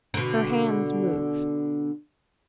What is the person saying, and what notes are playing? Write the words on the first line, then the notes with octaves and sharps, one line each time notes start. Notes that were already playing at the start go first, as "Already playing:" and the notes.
Her hands moved.
B2 D3